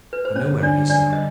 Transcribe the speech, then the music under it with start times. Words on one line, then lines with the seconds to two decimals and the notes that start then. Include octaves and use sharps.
I know where he is now.
0.13 B4
0.25 C5
0.36 G2 D3 G3 C#4 C#5
0.63 D4 D5
0.90 D4 D5
1.13 D#5